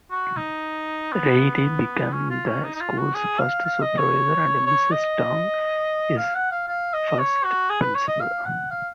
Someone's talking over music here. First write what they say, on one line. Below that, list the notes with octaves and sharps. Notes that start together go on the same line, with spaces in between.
Reilly became the school's first supervisor and Mrs. Tong its first principal.
F#4
D#4
B3
C#4
F4
C#4
D#4
D#4
F4
F#4
G#4
F5
F5
D#5
C#5
C#5
D#5
F5
F#5
F5
F5
D#5
C#5
F#4
G#4
B4
C#5
D#5
F5
F#5
F5